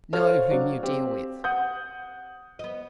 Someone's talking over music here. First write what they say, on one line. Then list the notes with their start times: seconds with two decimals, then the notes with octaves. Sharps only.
Know whom you deal with.
0.13 F#4 A4 C5 C#5 F5 F6
0.51 F#3 D4
0.83 C4 G4
1.44 F#5 D#6 G6
2.59 B3 D#5